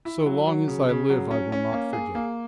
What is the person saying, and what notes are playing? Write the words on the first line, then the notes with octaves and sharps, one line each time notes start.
So long as I live I will not forget.
E4
F#3
F#3
C#3
C#3
F#3
C#4
C#4
A#3
G#4
A#3